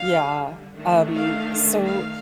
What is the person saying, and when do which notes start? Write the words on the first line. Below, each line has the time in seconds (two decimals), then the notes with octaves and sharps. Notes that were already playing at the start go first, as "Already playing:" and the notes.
Yeah. Um, so,
Already playing: D3 G3 D4 F5
0.72 D#3 A3 D4
1.14 F5
1.84 F5